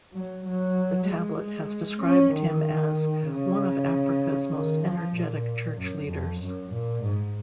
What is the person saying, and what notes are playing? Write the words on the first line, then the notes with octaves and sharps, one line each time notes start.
"The Tablet" has described him as "one of Africa's most energetic church leaders".
F#3
F#3
G#3
C#4
D#3
C#3
D#3
F3
A#2
F#2
F2
F#2
A#2
G#2